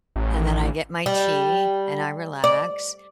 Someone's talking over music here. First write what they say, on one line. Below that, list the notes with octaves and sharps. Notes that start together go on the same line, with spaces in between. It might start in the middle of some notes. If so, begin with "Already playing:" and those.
And then I get my tea and I relax.
A1
G3
D5